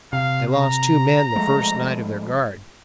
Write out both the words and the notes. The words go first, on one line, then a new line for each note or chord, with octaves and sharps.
They lost two men the first night of their guard.
C3 F5
A#5
F3 G#3 A3